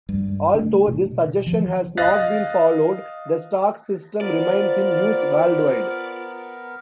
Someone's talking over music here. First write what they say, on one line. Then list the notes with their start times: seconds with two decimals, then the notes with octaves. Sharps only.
Although this suggestion has not been followed, the Stock system remains in use worldwide.
0.09 G2 G3
0.54 C#3 A3 D4
0.88 B2
1.46 E3 F3
1.97 D#5 F5 F#6 A6 A#6
4.21 B3 F4 A#4 C5 D5